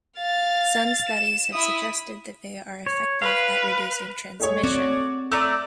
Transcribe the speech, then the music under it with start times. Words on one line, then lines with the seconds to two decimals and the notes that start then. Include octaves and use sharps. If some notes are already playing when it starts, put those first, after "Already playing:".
Some studies have suggested that they are effective at reducing transmission.
0.18 F5 A6
1.09 E7
1.53 E4 D#6
2.86 C#5
3.22 B4 F5
4.40 A3 G#4 C#5
4.63 C4 F#4 D5
5.32 A3 D5 A#5 E6